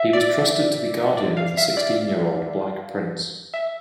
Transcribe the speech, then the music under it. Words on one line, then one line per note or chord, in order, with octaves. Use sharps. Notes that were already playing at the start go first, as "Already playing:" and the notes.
He was trusted to be guardian of the sixteen-year-old Black Prince.
Already playing: E5
D5
D5
F5
E5
D5
E5